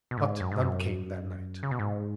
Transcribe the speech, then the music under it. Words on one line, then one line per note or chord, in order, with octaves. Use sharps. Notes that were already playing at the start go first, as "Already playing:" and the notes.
But none came that night.
B2
G#2
F#2
G#2
F#2
C#3
B2
G#2